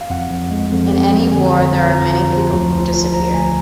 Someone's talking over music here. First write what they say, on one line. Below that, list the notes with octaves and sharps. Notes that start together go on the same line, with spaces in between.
In any war there are many people who disappear.
F5
F2 F#5
F2
G#3
F2
F2
F2
D3 G#5
G#1 A#5
F3
F3 A#5
F3
F3
D2
F3
F3
F3 A#5
D2 G#5